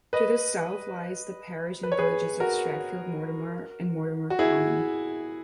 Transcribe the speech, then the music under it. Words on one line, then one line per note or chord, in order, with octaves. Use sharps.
To the South lies the Parish and villages of Stratfield Mortimer, and Mortimer Common.
B4 D#5
B4
C#5
G#4 B4
F#4 A#4
F#4
E4 G#4